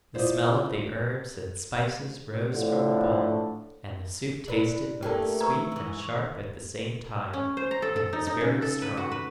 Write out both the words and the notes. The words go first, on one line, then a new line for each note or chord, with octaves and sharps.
The smell of the herbs and spices rose from the bowl, and the soup tasted both sweet and sharp at the same time, and was very strong.
E4 F4 C5 D5 D#5
A2 D3 F3
D4 E4 A#4 B4
A3 A#3 D4 G4 A4 G5 A5
A#4 B4 A#5 C#6 E6 G#6
G#2 E3
C#4
C5
A#5
A4
A4
D#4
D#4
C#3
A4
B4
F#4
B4